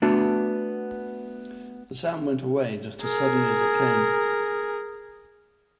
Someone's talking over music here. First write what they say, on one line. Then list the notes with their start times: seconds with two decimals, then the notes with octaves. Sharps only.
The sound went away just as suddenly as it came.
0.02 A3 B3 D4 F#4
3.03 G#4 A#4